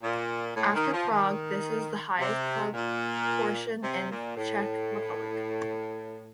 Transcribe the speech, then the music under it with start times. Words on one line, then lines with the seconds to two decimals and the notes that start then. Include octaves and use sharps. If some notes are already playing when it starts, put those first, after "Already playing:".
After Prague, this is the highest proportion in the Czech Republic.
0.02 A#2
0.56 A2
0.74 D#3
0.92 F3
1.10 D#3
2.19 C3
2.74 A#2
3.82 C3
4.09 A#2
4.36 A2